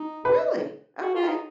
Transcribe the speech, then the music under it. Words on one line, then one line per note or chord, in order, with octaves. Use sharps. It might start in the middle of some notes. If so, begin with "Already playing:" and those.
Really? Okay.
Already playing: D#4
B4
F#4
F4
D#4